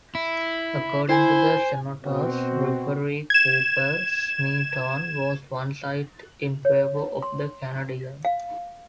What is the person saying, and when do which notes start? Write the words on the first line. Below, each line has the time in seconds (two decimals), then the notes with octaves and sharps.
According to the Senators, referee Cooper Smeaton was one-sided in favour of the Canadiens.
0.15 E4
1.09 E4 C5 G#5
2.05 B2 C4 F#4
3.30 G#6 E7
6.65 C#5
7.22 C6
8.25 F5